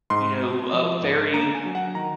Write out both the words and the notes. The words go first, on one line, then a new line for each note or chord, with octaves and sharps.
you know, uh, very
G#2 C6
C4
F3
G#2
A#3 A#5
G#5
F#3
F#5
D#3 A#5